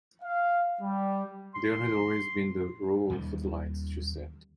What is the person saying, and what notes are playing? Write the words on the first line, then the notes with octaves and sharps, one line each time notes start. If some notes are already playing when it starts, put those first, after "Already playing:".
"There had always been the row of footlights," she said.
F5
G3
C6
D#2 D#3 G3